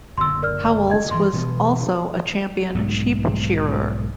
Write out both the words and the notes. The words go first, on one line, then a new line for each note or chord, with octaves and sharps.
Howells was also a champion sheep shearer.
F#1 A#2 D3 C6 E6
A#4 D5 F6
D#5 G#6
G2 E3 C6
B2 E3 B3
B1 G#2 A3